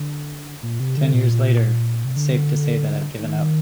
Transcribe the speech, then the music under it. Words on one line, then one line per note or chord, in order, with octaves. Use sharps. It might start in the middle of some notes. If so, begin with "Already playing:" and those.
Ten years later, its safe to say that I've given up.
Already playing: D3
A#2
C3
D3
A#2
C3
D3
D#3